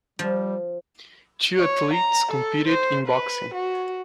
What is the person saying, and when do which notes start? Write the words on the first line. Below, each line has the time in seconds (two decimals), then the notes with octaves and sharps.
Two athletes competed in boxing.
0.19 F3 G3
1.56 C#5
1.93 A#5
2.31 A4
2.67 C5
3.07 B4
3.54 F#4